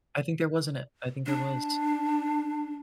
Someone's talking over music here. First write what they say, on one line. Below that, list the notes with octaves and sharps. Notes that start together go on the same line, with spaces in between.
I think there wasn't it I think there was.
D4